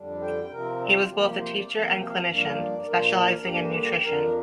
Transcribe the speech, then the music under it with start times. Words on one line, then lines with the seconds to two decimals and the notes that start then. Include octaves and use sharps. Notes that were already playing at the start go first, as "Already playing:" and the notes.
He was both a teacher and clinician, specializing in nutrition.
Already playing: F2 D3 G3 D4
0.22 G5
0.52 C3 F3 C4 A#4
0.81 D4
0.95 F4
1.10 C3 F3 A#3 G4
1.39 C5
1.54 D5
1.68 C3 F3 A#3 F5
1.78 G5
1.88 F5
1.97 G5
2.07 F5
2.27 G2 F3 A#3 D4 F5
2.57 D5
2.85 A#2 F3 A#3 D4 A#4
2.96 C5
3.06 A#4
3.44 G2 D3 A#3 D4 G4
4.03 F2 F3 D4 A#4